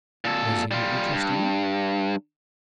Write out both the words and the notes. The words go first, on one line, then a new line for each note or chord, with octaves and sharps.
'Was he not your trustee?'
A#2 A4
G3 F4
G2